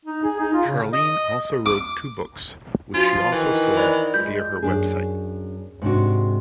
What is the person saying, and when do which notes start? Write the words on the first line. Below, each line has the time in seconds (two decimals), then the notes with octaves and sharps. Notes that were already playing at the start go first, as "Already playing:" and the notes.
Charlene also wrote two books, which she also sold via her website.
0.05 D#4
0.24 G#4
0.40 D#4
0.53 F4
0.67 C#3
0.93 D#5
1.66 D6
2.94 F3 D4 F4 F#4
3.32 D#3 E3
3.77 C5 D5 B5
4.14 G#3 F4 G6
4.63 F#2 D4 G#4
5.82 G#2 C3 D4 F#4